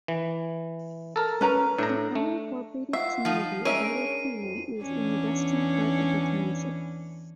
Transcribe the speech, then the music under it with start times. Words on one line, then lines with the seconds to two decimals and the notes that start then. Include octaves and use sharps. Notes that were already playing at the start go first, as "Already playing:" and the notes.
The unincorporated community of Little Cooley is in the western part of the township.
0.08 E3
1.16 A4 A#4
1.41 C#4 B4 A#5
1.78 A2 D4 A#5
2.15 A3
2.93 F4 E5 F#5 C7
3.25 F3 D#4
3.65 G#3 C#4 D4 A#4 C#5 E5 D#7
4.42 F2
4.80 E2 C#4 D4